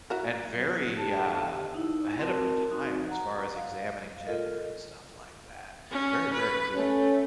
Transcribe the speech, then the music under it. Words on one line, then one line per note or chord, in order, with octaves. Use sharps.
and very, uh, ahead of her time as far as examining gender and stuff like that, very, very cool.
E4 F#4 A#4
F#3 B3
B2 D3 G4 A5
D#4 E4
C4 F#4 A#4 A5
C4 D#4 F#4
F#5 A#5
F5
F4 A4 A#4 D#5
C#4
B4
A3 C#4